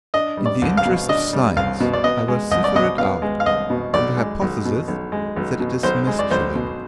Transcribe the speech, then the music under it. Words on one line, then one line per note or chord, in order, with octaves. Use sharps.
In the interest of science, I will cipher it out on the hypothesis that it is masculine.
D4 D#5
G3
D5
C2
F5
B2
D4 D#5
G3
C2 F5
B2
D5
B3 D#5
G#3
C2 D#5
D5
B2 D#5
B3 F5
G#3
F5
C2 D#5
B2
B1 D5
G#3
B1
B2
B1
G#3
B1
B2
B1 C5
G#3
D5
B1 C5
B2